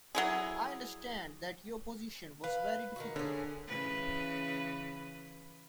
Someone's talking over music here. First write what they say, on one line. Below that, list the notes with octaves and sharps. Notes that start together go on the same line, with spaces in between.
I understand that your position was very difficult.
F#3 E4 G#4
B4 F5
D#3 E3 F#4
D3 C#4 G#4
C#3 E3 B4